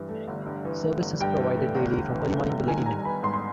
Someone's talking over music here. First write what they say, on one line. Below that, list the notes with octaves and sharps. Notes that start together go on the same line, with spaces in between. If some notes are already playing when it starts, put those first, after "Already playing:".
Service is provided daily from early morning to late evening.
Already playing: G2 E3
A3
G1
G2
E3
A3
G1
G2 G5
E3
A3
G1
G2
E3
A3
G1
D#3 G#5
G3 A#5
B3 B5
G#2 C6
C6